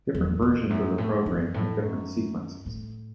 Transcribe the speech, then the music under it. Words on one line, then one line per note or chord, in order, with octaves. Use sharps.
Different versions of the program have different sequences.
E2
E2
F#2
A2
F#2
A2
F#2
A2